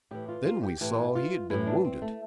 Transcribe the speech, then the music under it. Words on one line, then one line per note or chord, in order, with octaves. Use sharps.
Then we saw he had been wounded.
A2 E3 G4
F4
F4
G4
A2 E3 G4
F4
A2 E3 E4
D4
C4
A3